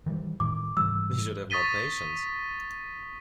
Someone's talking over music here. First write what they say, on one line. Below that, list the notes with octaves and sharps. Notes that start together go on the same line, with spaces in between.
You should have more patience.
D#3 E3 G3
A2 D#3 D6
G#2 E3 G3 E6
C#6 D#6 A6 B6 D#7 G7